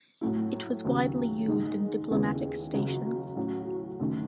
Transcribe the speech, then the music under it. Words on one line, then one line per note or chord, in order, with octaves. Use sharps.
It was widely used in diplomatic stations.
A2 F#3 A3 E4
D#2 C#3 F#3
G#2 D#3 G#3 D#4
D#2 C#3 G#3 B3 E4
C#2 C#3 F#3 C#4 F#4
A2 F#3 C#4 F#4
F#2 D#3 A3